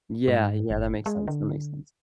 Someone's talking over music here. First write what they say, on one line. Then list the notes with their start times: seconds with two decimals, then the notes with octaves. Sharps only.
Yeah, yeah, that makes sense, that makes sense.
0.28 G#2
0.71 G1
1.06 G#3
1.28 D3